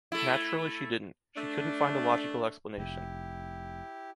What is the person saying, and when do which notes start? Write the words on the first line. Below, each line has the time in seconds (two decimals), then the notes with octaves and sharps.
Naturally she didn’t - she couldn’t find a logical explanation.
0.12 A3 E4
1.36 A3 D4
2.78 F1 E4 G4